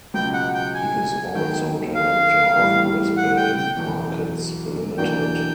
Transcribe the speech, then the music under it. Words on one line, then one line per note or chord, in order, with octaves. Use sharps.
He is also Director of Brisbane Markets Limited.
C#2 B2 F#3 G5
F#5
G5
G#5
D#3 F#3 B3 G5
F5
A2 E3 G3 B3
F#5
G5
G5
E2 B2 F#3
E2 B2 F#3 A#3 D4 G5